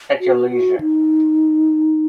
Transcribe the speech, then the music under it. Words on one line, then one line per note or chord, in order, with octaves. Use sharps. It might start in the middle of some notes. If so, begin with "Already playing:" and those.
At your leisure.
F#4
F#4
D#4